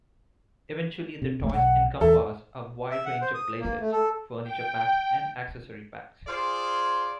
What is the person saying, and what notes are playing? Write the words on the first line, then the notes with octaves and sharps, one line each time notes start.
Eventually, the toys encompassed a wide range of playsets, furniture packs, and accessory packs.
C3
F1 C2 A3
B1 F#5
E2 A4 E5
E5
F#5
C5
D#6
A#3
A3
A4
G5
F4 G#4 C5 D5